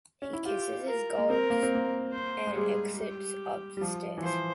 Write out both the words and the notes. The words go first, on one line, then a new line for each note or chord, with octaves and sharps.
He kisses his gold and exits up the stairs.
C#4
E4
F4 G4
A#4
A#3
C4 A#4
A#3
C4
A#3
C5
G#3
G3 G#4
G4
G3
F3
E3
F3 C5